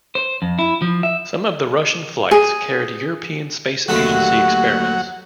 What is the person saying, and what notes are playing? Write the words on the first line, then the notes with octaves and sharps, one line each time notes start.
Some of the Russian flights carried European Space Agency experiments.
C5
F2
E4
F3
E5
G#4
D#2 D3 F#3 A3 F#4 F#5